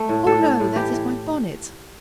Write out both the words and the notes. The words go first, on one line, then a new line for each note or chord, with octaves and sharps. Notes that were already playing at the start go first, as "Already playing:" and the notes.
'Oh no! that is my bonnet.
Already playing: A3
A2
A2 A4
A2
A2
E3 G4
E3